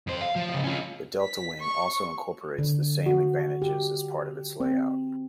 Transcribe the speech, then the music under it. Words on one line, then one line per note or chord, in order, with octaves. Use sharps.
The delta wing also incorporates the same advantages as part of its layout.
F2 C5
F5
F3
C#3 F3
C#4 F4
B6
C#6
D3
F#4
G4
C4